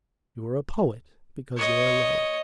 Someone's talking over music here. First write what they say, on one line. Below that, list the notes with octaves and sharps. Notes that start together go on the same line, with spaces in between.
You are a poet because you are low.
C#5 D#5